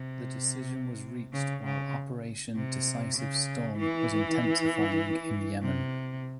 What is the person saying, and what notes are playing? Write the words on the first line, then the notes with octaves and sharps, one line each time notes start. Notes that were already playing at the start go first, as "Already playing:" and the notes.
The decision was reached while Operation Decisive Storm was intensifying in Yemen.
Already playing: C3
C#3
C#3
C3
C#3
E3
C3